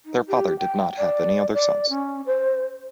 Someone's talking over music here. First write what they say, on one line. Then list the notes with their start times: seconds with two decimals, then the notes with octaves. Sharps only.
Their father did not have any other sons.
0.06 D#4
0.28 G4
0.59 G5
0.97 D5
1.54 D5
1.89 C#4
2.26 C5